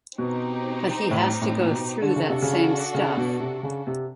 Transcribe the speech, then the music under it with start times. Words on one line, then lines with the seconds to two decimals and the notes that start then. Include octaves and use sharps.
But he has to go through that same stuff.
0.18 B2 C4 D#4 G4
1.11 A2
1.41 A2
1.60 A#2
1.71 B2
2.02 D3 D4 F#4 A4
2.16 C#3
2.29 C3
2.42 C#3
2.94 C#3
3.17 B2
3.40 C3
3.63 C#3
3.87 C3